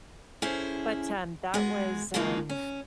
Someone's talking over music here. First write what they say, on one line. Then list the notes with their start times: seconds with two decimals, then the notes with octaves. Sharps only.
But, um, that was an
0.42 C#4 E4 G#4 A4 C5
1.54 G#3 B3 F#4 G#4
2.14 C#3 E3 F3 G#3 A#3 D#4
2.49 C#4